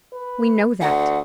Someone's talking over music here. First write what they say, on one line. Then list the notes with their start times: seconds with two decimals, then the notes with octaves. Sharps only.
We know that.
0.13 B4
0.81 D2 F#5